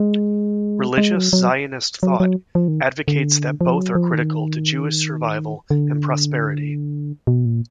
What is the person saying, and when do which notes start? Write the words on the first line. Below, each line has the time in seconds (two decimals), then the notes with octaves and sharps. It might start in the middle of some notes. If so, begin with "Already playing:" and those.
Religious Zionist thought advocates that both are critical to Jewish survival and prosperity.
Already playing: G#3
0.98 G#3
1.15 F#3
1.33 F#3
2.03 F#3
2.20 F#3
2.55 F3
2.68 D#3
3.08 D3
3.61 F3
3.78 F#3
3.95 F3
4.13 D#3
5.71 D3
7.27 B2
7.45 A#2